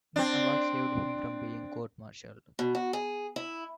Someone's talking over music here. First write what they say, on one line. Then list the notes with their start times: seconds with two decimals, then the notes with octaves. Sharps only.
This award saved him from being court-martialled.
0.16 C4 D4
2.59 B2
2.75 F#4
2.93 G#4
3.36 E4